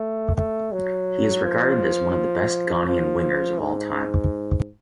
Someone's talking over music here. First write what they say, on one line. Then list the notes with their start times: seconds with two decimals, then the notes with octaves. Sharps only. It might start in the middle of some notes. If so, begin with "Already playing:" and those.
He is regarded as one of the best Ghanaian wingers of all time.
Already playing: A3
0.36 A3
0.72 F#3
1.44 F3
2.87 F3
3.59 G#2